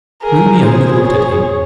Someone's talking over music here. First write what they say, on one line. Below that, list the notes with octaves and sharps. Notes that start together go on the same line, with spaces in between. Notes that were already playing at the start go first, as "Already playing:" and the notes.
Moody only looked at him.
G#4 A#4
G#4 C5
C#5